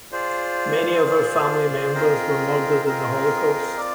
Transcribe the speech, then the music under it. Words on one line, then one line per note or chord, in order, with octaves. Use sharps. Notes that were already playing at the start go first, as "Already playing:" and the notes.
Many of her family members were murdered in the Holocaust.
F4 G#4 C5 D5
F4 G#4 D5
C4 F4 G#4 A#4 D#5 G5
C4 F4 G#4 A#4 D#5 G5
C4 F4 D5